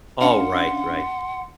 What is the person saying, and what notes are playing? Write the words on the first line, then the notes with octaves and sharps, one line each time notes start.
Alright, right.
C#4 D4 F5 F#5 C6